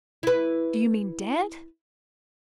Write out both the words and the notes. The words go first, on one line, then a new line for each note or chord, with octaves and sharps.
Do you mean dead?
E4 B4